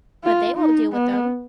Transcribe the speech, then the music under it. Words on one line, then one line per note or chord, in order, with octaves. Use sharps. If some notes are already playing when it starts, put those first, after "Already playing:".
But they won't deal with them.
F4
D#4
B3